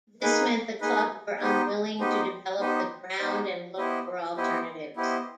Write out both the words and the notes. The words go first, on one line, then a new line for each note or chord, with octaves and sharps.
This meant the club were unwilling to develop the ground and looked for alternatives.
A#3 D#4 G#4 B4 D#5
A#3 D#4 G#4 B4 D#5
B3 D#4 G4 C5 D#5
B3 D#4 G4 C5 D#5
B3 D#4 G4 C5 D#5
B3 D#4 G4 C5 D#5
B3 E4 G4 C5 D#5
B3 E4 G4 C5 D#5
B3 E4 G4 C5 D#5